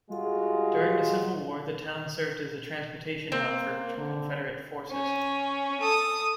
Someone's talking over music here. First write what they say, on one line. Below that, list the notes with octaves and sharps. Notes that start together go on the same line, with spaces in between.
During the Civil War the town served as a transportation hub for Confederate forces.
G3 G#3 F4 F#4 G#4
A#3 C4
D3
C#4
A4 D#6